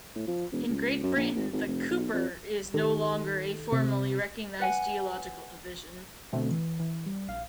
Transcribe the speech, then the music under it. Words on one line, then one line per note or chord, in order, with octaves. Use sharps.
In Great Britain the 'Keuper' is no longer a formally recognised geological division.
A2
F3
E1
C#2
F#2
A#1
G#1
G#1
F1
B1
F2
D#3 G4 A4
C3
B4 F#5 G#5
B2 D3 A3 C4
E3
E3
G3
A#1 F5